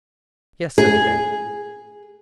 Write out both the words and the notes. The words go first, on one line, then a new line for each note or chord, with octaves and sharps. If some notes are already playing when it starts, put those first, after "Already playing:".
"Yes," said the dame.
G#4